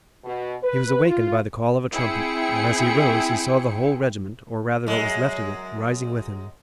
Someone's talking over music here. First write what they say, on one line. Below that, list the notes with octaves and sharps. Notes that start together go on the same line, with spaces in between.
He was awakened by the call of a trumpet, and, as he rose, he saw the whole regiment or rather, what was left of it, rising with him.
B2
B4
F4
C4 E4 G#4 G5 C#7
F#2 G#3